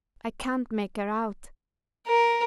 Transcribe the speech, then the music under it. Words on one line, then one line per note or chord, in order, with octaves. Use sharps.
I can't make her out.
A#4